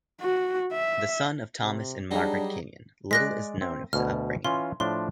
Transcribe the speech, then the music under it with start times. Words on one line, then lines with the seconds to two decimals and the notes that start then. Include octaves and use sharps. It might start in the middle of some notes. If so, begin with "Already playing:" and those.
The son of Thomas and Margaret Kenyon, little is known of his upbringing.
0.21 F#4
0.73 E5
1.62 C3
2.11 F#3 G3 D4 D#4 G#4
3.11 G#3 D5 F#6 A#6 B6
3.61 C4
3.93 D2 B2 F6
4.44 E3 C#4 F4 C6
4.80 A2 F3 D4 C6